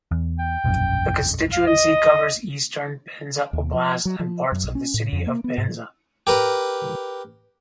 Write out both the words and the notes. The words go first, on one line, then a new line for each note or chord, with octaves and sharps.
The constituency covers eastern Penza Oblast and parts of the city of Penza.
E2
G5
E1 A#1 F#2
F5
D#5
D#2
F3
F#3
F3
F#2
B1
C#4
A2
F2
A#3
B3
G#2
G4 A#4 B4